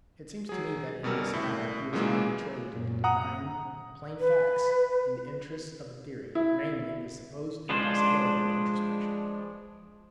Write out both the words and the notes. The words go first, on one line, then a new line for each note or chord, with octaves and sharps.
It seems to me that in this matter he has been betrayed into denying plain facts in the interests of a theory, namely, the supposed impossibility of introspection.
F#3 G#4
F#2 B2 G3 A#4 E6
A2 E5
A#2 C#3 E3 F#3 G#3 A#3
A#1 F#2 A#2
F#5 A#5 D#6
B4
E4
F3 G#3 D4 B4 C5